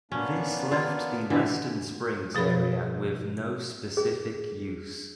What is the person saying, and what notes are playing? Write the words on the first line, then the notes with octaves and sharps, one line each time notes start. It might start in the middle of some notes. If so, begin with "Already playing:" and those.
This left the Western Springs area with no specific use.
A#3 B3 C#4 D4
F4
D3 E3 G4 E5
B2 F3 G#4 B5 A6
G#4